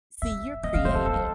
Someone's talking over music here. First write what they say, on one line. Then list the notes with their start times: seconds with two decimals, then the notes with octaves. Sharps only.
See, you're creative.
0.22 C4 E5
0.64 B3 D#5
0.74 A#3 F5
0.85 A3 C5
0.95 A#3 A4
1.06 C4 A4